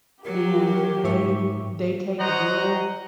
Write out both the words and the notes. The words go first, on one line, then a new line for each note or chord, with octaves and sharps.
and they they take real
F#3 G4 A#4
G#2 E5 C#6
C5 C#5 D#5 F#5 A#5